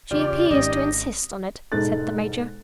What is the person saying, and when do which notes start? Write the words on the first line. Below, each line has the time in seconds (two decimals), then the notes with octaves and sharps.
"She appears to insist on it," said the Major.
0.11 E2 C#3 F4 G4 D5
0.51 G#1 D#3 C#4 G4 D#5
1.72 E1 G#2 D#4 A4 F#6 A6